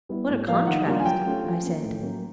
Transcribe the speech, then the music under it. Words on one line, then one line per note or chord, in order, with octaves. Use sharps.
"What a contrast!" I said.
G3 B3 E4
A2
F3 A#3 F5
D#3 F#5
G3 A#3 D4 F4
G#5
F#3 G5
A3 C#4 F4
F3
A#3 C#4
A2
F#3 A#3 C#4